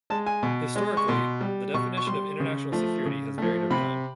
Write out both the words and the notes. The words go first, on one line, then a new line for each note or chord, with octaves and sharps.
Historically, the definition of international security has varied over time.
G#3 A5
G#5
B2
G#3
C#6
B2 C6
G3
B2 C#6
C#6
G3 C6
C#3
F3 A3
C#3
F3 A3
C3 B5